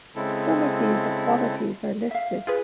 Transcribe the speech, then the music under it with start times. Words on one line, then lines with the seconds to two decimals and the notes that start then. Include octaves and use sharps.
Some of these equalities are listed.
0.16 C#3 G#3 C4 E4 A4
2.11 E5 F5
2.47 F4 G#4 B4